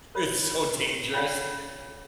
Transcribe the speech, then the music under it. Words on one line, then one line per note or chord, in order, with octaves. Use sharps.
It's so dangerous.
A#4 C5 C#5 B5
C#4 F4 C#5 F5 F#5